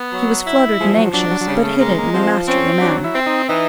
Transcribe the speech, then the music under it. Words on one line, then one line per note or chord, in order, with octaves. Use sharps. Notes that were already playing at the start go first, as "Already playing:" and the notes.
He was fluttered and anxious, but hid it in a masterly manner.
Already playing: B3
F#3
E4
F3 G#3
F#3
F#3 D4
F#3
F#3
C#3 G3
A3
G#3 A#3
A#3
F3 C4
C4 C#4
F#3 D4
E4
C4
D#4
E3 D#4